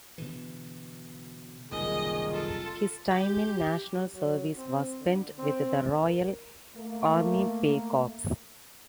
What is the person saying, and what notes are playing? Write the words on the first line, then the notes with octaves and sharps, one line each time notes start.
His time in National Service was spent with the Royal Army Pay Corps.
B2 D3 E3
F#1 C2 A#2 D#3 G#4 D#5
F4 A4
G4
F#3
C4
D3
C4
A#4
A3 A#3